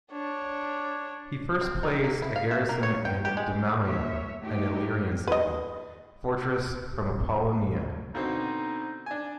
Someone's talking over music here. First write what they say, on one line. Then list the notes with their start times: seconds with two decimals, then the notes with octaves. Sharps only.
He first placed a garrison in Dimallum, an Illyrian city-fortress from Apollonia.
0.12 D4 C#5
1.61 C4
1.83 D#3
2.04 A#3
2.22 E4
2.36 F5
2.51 E5
2.69 A#3
2.83 C#5
3.05 G5
3.25 G4
3.37 G#3
3.84 G2 A#3 C#5 E5
4.43 A3 D#4 G4
5.28 B4 D#5
8.15 B2 D3 C4 D#4
9.06 D4 G#5